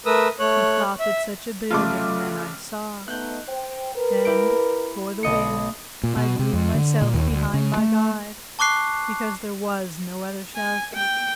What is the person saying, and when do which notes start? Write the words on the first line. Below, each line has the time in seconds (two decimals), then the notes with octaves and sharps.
Methought that such a building then I saw; And, for the wind, I drew myself behind My Guide, because there was no other shelter.
0.06 A3 A#4 B4 D#6 E6
0.39 A3 C#5 F#6
1.00 E5
1.70 F1 C#3 A3 F4 D6
3.08 A3 B3 D#4 F#6 G6
3.48 C5 G5
3.96 A#4 B4
4.25 E4 G4 D7
5.23 B1 D3 D#5 C#7
6.03 A#2
6.17 B2
6.39 C3
6.53 F2
6.75 D3
7.02 A#2
7.14 D#2
7.31 D2
7.54 C#3
7.77 A3
8.59 A5 C#6 D6 F#6 C7
10.56 G#5
10.94 G5